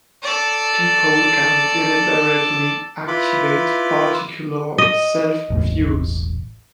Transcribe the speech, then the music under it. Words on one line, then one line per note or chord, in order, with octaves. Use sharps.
People can deliberately activate particular self-views.
A4 D5
E4 F4 B4 B5 D6
D#5
E1 A1 A2